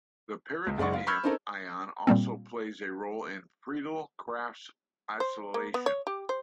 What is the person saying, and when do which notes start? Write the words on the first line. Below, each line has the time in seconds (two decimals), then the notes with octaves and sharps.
The pyridinium ion also plays a role in Friedel-Crafts acylation.
0.67 C#2
0.78 F#1 G#3 D5 F#5 C#6
0.93 F5
1.07 B5 C#6 E6 F6 G6 G#6
1.24 C4 C#4 D#4 A4 A#4 D#5
2.07 A#2 G3 A#3 C4
5.20 C5
5.54 A#3
5.74 B3
5.86 C#5
6.07 G4
6.29 C5